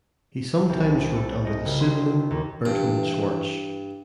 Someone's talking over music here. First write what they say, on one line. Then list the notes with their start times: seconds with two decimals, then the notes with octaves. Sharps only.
He sometimes wrote under the pseudonym Berthold Schwarz.
0.69 C2
1.16 A4
1.45 D#5
1.65 F#1
1.80 C6
2.31 D#2
2.65 G2 E3